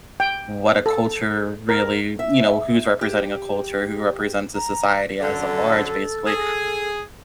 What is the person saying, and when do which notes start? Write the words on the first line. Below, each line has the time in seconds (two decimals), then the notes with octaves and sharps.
what a culture really you know, who's representing a culture, who represents a society as a large basically,
0.20 G5
0.86 A4
1.69 A#4
2.19 E5
3.01 G4
4.55 A#5
5.21 F#2 D3 A4
6.27 G#4